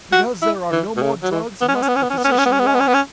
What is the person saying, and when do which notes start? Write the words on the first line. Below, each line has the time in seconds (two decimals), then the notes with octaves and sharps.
"Because there are no more drugs must the physician walk?"
0.12 F#4
0.42 E4
0.72 E3
0.97 B2
1.02 C#3
1.23 F#3
1.31 E3
1.61 B3
1.69 C#4
1.75 B3
1.82 C#4
1.89 B3
1.96 C#4
2.03 B3
2.10 C#4
2.17 B3
2.24 C#4
2.31 B3
2.38 C#4
2.46 B3
2.52 C#4
2.59 B3
2.66 C#4
2.74 B3
2.80 C#4
2.88 B3
2.94 C#4